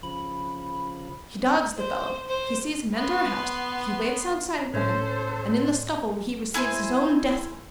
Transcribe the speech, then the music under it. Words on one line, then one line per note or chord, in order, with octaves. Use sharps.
He dogs the fellow, he sees him enter a house, he waits outside for him, and in the scuffle he receives his own death-wound.
C#3 F3 B5
C5
C5
B3 C6
A2 C#4 A4 C5
E4 G#4 A4 C5